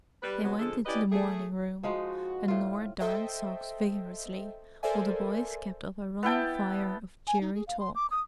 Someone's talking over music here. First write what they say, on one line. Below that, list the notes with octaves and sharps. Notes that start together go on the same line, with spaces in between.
They went into the morning-room, and Norah darned socks vigorously while the boys kept up a running fire of cheery talk.
G3 B4
C3 F#3 G#3 B3
D3 F3 G#3 A4
C#4 E4 G4 B4 D5 D#5
A3 G#4
F3 G#3 D#4 F#4
A2 F4
A4 C5 D#5 E5 G5
A4 A#4 C5 D5 E5 G#5
B3 E4 G5 A5
G#5
D#4
G#4
F5
C6
D6
D#6